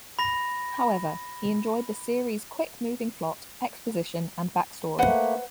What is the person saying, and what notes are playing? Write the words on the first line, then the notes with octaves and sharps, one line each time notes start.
However, he enjoyed the series' quick-moving plot, exposition, and backstory.
B5 A#6
A3 A#3 B4 C5 F#5